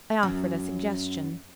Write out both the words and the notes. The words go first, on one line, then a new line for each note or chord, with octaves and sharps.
I offered a suggestion.
F#2